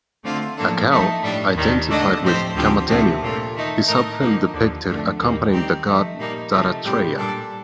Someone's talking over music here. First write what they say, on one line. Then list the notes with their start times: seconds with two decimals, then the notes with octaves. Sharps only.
A cow, identified with Kamadhenu, is often depicted accompanying the god Dattatreya.
0.23 D3 A3 C4 F4
0.57 A2 F3 A#3 D4 A4
0.90 F3 A3 D#4
1.23 A2 G3 D4
1.56 D#2 D#3 G3 D4
1.89 D3 A3 D4 A4 D#5
2.22 A2 F3 C4 G4 C5
2.54 D2 D3 F3 C4 G4
2.88 D2 C3 F3 A3 C4
3.21 A#2 A3 C4 F4 A4
3.54 D#3 A3 D#4
3.87 A2 A3 D#4 A#4 D#5
4.20 F2 D3 F3 A#3 D#4
4.53 D#2 D3 F3
4.86 F2 D3 A3 D4 A4
5.19 D#2 D#3 G3 A#3 D#4
5.52 D#3 G3 C4 D#4 G4
5.86 F3 A3 D#4
6.19 A#2 G3 A#3 D#4
6.52 C3 F3 A3 D#4
6.84 A2 G3 C4 G4
7.17 A#2 G3 D4 A4 D5